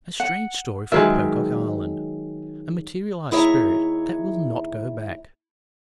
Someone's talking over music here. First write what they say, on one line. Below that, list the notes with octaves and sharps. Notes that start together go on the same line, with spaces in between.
A Strange Story from Pocock Island--A Materialized Spirit that Will not Go back.
F#5
D#3 F#3 G#3 G#4 B4 E5
D#2 E4 G#4 C#5 E5 A#5